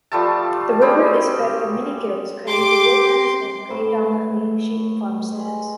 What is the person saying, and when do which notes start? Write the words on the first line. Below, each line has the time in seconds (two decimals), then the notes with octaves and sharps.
The river is fed from many gills cutting through woodland and predominantly sheep farmsteads.
0.12 F3 G3 A3 A5
0.81 F#3 G3 C4 G#4
2.47 G4 C6 D6
3.70 A2 B4 F#5
5.32 G#3